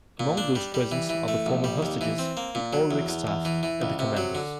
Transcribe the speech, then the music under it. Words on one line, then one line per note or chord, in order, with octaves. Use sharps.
Among those present are the former hostages, the oil rig staff and the commandos.
A#2
D4
G3
G3
E3
E3
A3
A#1
G3
D#2
E3
C4
A#3
A#2
F#3
E2
E2
E2
E3
E3
C#2
C3
F#3
D3